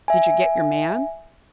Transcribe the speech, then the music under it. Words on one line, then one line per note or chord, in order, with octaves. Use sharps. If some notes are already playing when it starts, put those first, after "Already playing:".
"Did you get your man?"
E5 G#5